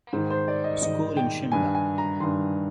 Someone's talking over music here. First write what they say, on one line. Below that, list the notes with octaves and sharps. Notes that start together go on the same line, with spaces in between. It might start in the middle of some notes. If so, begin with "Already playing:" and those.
School in Shimla.
G#2 D#3 C5
C5
D5
D#5
G#2 D#3 D#5
G5
G2 D#3 G#5
G#5
A#5
G2 D#3 C6